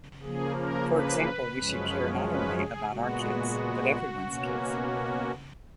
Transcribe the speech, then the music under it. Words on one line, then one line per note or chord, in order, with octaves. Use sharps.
For example, we should care not only about our kids, but everyone's kids.
C#3 F3 A#3 G#4
A#4
B4
F#2 F3 G#3 C#4
B4
G#4
A#2 G#3 B3 F#4
B2 A#3 C#4